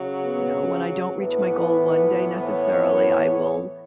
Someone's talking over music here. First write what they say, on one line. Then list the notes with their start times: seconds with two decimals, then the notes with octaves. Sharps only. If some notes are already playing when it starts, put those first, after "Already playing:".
you know, when I don't reach my goal one day necessarily, I will
Already playing: C#3 F#3
0.23 B3
0.55 C#4
1.18 A2 E3 B3 B4
2.44 C#5